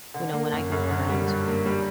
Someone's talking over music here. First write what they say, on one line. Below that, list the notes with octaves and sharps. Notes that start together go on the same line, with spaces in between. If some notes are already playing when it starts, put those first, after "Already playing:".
you know, when I go around,
D3
A#3
F#2
F#2
D3
G3
G2
A#3
G3